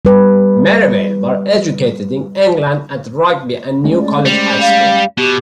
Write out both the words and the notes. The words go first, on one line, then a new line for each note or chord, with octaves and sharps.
Merivale was educated in England, at Rugby and New College, Oxford.
G3 B4
G#3 A3 C#4
D5
G3 C5
F5
B2 G4